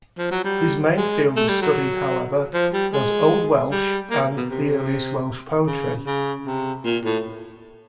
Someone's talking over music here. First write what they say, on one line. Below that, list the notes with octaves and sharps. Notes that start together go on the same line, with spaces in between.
His main field of study however was Old Welsh and the earliest Welsh Poetry.
F3
F#3
G3
G#3
A3
G3
F#3
F3
G3
G#3
G3
A#3
B2
C3
C#3
C#3
C3
A#2
A2